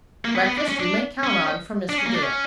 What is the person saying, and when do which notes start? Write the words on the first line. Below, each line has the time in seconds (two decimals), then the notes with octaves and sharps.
Breakfast you may count on from Mr. Dale.
0.25 A#3
0.35 B3
0.47 B3
0.58 D4
0.69 C#4
0.80 D4
1.24 C#4
1.89 D4
1.98 C#4
2.06 A#3
2.14 D4
2.22 C#4